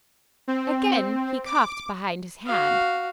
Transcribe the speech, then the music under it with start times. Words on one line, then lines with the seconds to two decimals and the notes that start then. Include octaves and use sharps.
Again he coughed behind his hand.
0.48 C4
1.46 D6
2.46 F#4 F5